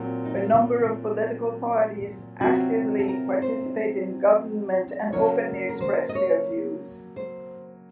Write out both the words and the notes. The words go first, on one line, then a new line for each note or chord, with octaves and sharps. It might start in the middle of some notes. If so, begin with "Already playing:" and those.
A number of political parties actively participate in government and openly express their views.
Already playing: A#2 F#3 C4
D#4
F4
C3 F#3 C4 F4 F#4
A4
A#4
C5
C#3 F#3 A#3 C#5
A#4
C5
D#5
C#5
C5